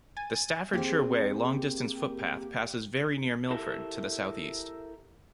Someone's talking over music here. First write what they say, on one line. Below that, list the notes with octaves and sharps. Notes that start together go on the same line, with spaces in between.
The Staffordshire Way long-distance footpath passes very near Milford, to the south-east.
G#5 A6 D#7
A#3 C4 G4 G#4
E4 G4 A4 A#4 E5